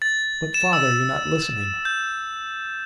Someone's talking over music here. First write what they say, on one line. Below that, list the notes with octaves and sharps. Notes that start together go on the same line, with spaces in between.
'But, father, you're not listening.
A6
E7
E6
G6